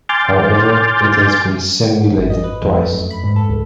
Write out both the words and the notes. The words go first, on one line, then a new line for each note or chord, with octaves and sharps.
However, it has been simulated twice.
G#5 C6 D6 F6 G6 A6
G#1
D#5
B4
F2
A3
F#2
B5
G#2
A4
C#2